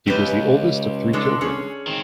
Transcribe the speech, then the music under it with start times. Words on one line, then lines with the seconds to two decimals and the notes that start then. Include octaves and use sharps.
He was the oldest of three children.
0.07 C#2 G4 B4
1.13 G#3 D4 A4
1.41 C#4 G#4
1.87 D#3 C4